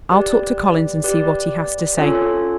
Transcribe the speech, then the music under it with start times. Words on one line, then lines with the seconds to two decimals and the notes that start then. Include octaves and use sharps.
I'll talk to Collins and see what he has to say.
0.11 G4 B4 D5
1.04 G4 B4 D5
1.97 C#4 F4 A4 C#5